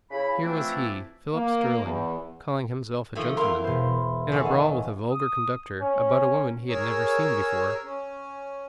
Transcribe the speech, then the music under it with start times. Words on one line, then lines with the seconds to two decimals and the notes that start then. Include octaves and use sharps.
Here was he, Philip Sterling, calling himself a gentleman, in a brawl with a vulgar conductor, about a woman he had never seen before.
0.11 C#3 E4 B5
0.43 E3 F3 A3 C4 D4 E4
1.34 A#3
1.83 E2
3.15 D#3 F3 A3
3.37 E2 E4 A#4 F5 C6
3.64 E1 C5
4.32 A2 D#3 C#4 A4 F#5
4.45 D#5 F5
5.11 D#6
5.81 C#4
6.69 G#4 A#4 C#5 E6
7.84 C#4